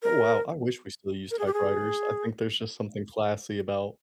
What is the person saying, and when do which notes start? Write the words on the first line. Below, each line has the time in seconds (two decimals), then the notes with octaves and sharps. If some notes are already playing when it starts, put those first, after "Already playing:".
Oh, wow. I wish we still used typewriters. I think there's just something classy about,
0.03 A#4
1.31 A#4
1.39 G#4
1.46 G4
1.54 G#4